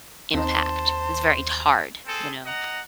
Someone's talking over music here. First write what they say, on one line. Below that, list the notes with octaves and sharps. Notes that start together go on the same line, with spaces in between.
impact, it's very d hard, you know?
D#2 C4 D#4 C5 A5
C4 G#4 A4
D#5 F#5 A#5